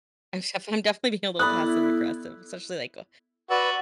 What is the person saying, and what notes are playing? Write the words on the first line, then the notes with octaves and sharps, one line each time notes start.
I'm def I'm definitely being a little passive aggressive, especially like, uh,
B3 E4 A4 D5 B5 D#6 F#6
F#4 B4 D5 E6